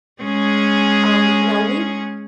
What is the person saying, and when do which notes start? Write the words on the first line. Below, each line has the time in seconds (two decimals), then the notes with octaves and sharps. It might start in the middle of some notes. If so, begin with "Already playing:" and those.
um, now we t
0.22 G#3 C#4 G#4